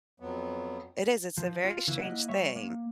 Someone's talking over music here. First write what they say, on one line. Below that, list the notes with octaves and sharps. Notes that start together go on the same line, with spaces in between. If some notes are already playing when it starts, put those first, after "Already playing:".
it is, it's a very strange thing.
F2 F#3 B3
F3
F4
C#3 E3 A#3 E4
A#3 E4 D#5 F#5
G3 C#5 E5
A#3